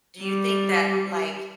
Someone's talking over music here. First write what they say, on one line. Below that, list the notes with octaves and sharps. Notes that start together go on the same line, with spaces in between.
do you think that, like
G3